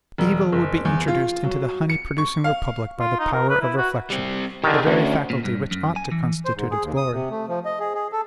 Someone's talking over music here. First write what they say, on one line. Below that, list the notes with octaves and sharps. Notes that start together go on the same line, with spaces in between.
Evil would be introduced into the honey-producing republic by the power of reflection,--the very faculty which ought to constitute its glory.
E1
F#1
E2
F4
F#3
C#7
C#6
F5
F4
D#4
A#4
B4
E4
F#4
G3 C4
D3 D#3 G4 G#4
D2 C#4 D4
A#2
G2
F#2
G#5
E3
C5
G#2
G#4
D#2
D#6
C3
A3
F3
D#5
G#4
G#4
A4